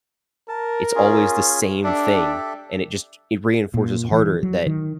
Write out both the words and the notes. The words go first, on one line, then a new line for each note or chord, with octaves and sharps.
It's always the same thing, and it just ch it reinforces harder that
A#4 A5
C#4 F4 G#4
D4 G4 A4 E5
A#2
E3
F#3
D#3